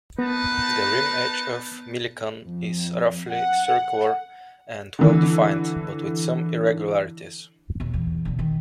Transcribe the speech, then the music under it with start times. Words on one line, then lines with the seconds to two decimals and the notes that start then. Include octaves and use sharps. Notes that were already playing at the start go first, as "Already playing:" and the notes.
The rim edge of Millikan is roughly circular and well-defined, but with some irregularities.
0.19 B3 D#4 A#4 B4 A5
2.43 F2
3.30 F#5
4.99 D3 E3
7.80 D#1 F#3
7.94 E2
8.25 B2 D3
8.39 D#3